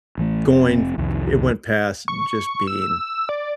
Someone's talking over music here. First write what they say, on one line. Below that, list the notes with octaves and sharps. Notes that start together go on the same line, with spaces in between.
going it went past just being,
A1 E3 A3
F1 C4
C2 F2 D#3
C#6
E6
D5